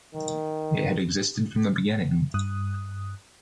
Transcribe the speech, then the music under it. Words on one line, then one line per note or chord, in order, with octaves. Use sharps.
It had existed from the beginning.
D#3
G2 D#6 F#6